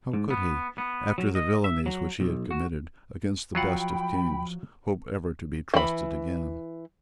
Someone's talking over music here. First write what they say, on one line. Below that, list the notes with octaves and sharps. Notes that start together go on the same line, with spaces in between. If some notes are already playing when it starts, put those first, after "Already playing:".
How could he, after the villanies which he had committed against the best of Kings, hope ever to be trusted again?
G#2
B3
B3
F#3
D#5
E5
F#3
B1
F#4
F3 F#3 F4 F#5 G5 B5
E3 B5